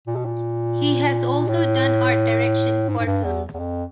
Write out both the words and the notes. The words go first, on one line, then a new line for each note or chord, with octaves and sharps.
He has also done art direction for films.
A#2
B2
A#2
A2
G#2
G#2
G2
E2
E2
F2